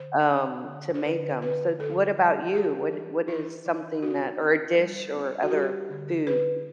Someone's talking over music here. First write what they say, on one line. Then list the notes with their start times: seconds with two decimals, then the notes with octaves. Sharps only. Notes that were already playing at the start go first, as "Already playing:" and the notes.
um, to make 'em, so what about you? What what is something that or a dish or other food?
Already playing: D3 C5
0.30 C4
0.68 D3
0.94 C5
1.05 D3 B4
1.42 D3 B4
1.79 D3 A4
2.16 G3
2.54 E3 G4
2.91 E3
3.28 E3 E4
3.66 E3
4.02 C4 F#4
4.41 C4
4.77 G3
5.14 C4
5.43 F#4
5.51 G3 G4
5.90 D3
6.27 D3 B4